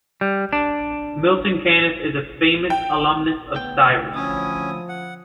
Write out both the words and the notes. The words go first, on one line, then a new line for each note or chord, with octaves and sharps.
Milton Caniff is a famous alumnus of Stivers.
G3
D4
G5
D2 B3 G5
F3 F#3 C#4 E4 D#6
F#5